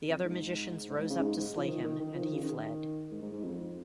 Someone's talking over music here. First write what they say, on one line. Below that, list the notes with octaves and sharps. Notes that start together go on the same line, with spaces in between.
The other magicians rose up to slay him, and he fled.
F2
G#2
G#2
G#2
C#3
G#2
G#2
F3
D#3
D#3
D#3
F3
D#3
C#3
D#3
G#2
G#2
G#2
F2